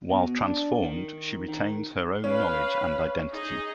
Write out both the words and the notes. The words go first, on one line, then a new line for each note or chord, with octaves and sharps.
While transformed, she retains her own knowledge and identity.
B2
D4
D#3
D#3
C#4 B4 F5
D#4 G#4 D#5